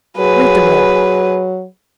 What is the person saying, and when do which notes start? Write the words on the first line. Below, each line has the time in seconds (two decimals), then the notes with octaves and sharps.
"Read them all!"
0.17 F#3 G#4 B4